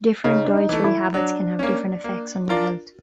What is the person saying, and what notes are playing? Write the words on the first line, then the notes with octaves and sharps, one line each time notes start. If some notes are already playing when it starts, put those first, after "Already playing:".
Different dietary habits can have different effects on your health.
C#3 D#4
D4
D#4
E3 A3
E4
F#3 D4
A#3 C#4
A#3
D4 F4 A#4